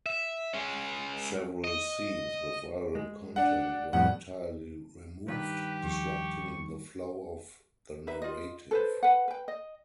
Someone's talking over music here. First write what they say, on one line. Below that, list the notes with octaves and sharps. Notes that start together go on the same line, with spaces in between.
Several scenes with violent content were entirely removed, disrupting the flow of the narrative.
E5
G#3 C#4
D#5
G#3
D4 F#5
F2 A2 G3 F#5
G2 D#3 G4 B4
D#2 F3 C#6
D#4 B4 E5
F4 D#5
A4 B4 C5
B4 F#5
B4 G5
D#5